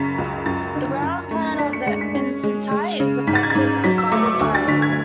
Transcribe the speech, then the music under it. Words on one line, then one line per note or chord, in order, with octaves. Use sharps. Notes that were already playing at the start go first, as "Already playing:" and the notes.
The ground plan of an enceinte is affected by the terrain.
Already playing: F#2 C#3 B6
C#2
F#2 A6
D3
F#2
A3
D4 B6
C#7
G#3 C#7
B6
C#4
G#3
G#3
C#3
G#2 B6
A6
G#6
G#2 A6
F#3 B6
E6
A3 D6
D6
D2 C#6
A6
D3 B6
G#6